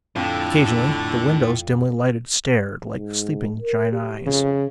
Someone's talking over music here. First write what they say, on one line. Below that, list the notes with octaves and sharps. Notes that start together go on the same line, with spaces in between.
Occasionally the windows, dimly lighted, stared like sleeping giant eyes.
F2 A2 D3
G#2
A#4
G4
F2 C#3